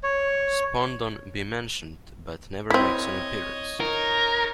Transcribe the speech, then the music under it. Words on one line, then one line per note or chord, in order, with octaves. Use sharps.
Spondon be mentioned but never makes an appearance!
C#5
C4 E4 C#5 D#5
D#4 A#4 C#5